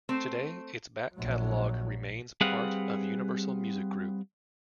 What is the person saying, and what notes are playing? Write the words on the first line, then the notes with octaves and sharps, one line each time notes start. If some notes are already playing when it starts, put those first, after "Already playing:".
Today its back catalog remains part of Universal Music Group.
A3 C4 C5
A#1 F#3
G3 C4 G#4 B4 F5 F#5